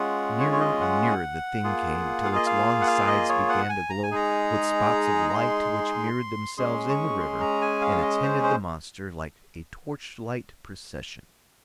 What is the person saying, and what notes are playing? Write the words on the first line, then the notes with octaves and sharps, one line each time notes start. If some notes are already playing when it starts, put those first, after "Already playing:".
Nearer and nearer the thing came, till its long sides began to glow with spots of light which mirrored themselves in the river and attended the monster like a torchlight procession.
Already playing: G#3 C#4 F4 G#4 F#5
C#5
C#5
D#5
F#5
A#3 F4 G#4
F5
D#5
F5
F#5
F5
D#5
C#5
F#5
G#5
A#5
G#5
G#3 D#4 G#4 A#5
A#5
C6
G#3 C#4 G#4 C6
C#6
C6
A#5
G#5
F5
D#5
C5
C5